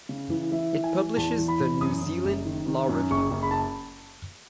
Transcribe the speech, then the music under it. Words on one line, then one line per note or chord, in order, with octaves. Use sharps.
It publishes the "New Zealand Law Review".
C#3
E3
E3 E5
E3
G#5
E3
E2 A5
E3
B5
E2
F#2 D#6
F#2
F#1
D#3
D#3
F#2
F#1 C#6
F#1
B5
A5